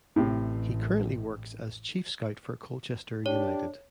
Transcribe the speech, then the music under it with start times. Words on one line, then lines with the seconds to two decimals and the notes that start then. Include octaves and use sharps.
He currently works as chief scout for Colchester United.
0.16 A1 A2 C3
3.26 D4 G4 C#5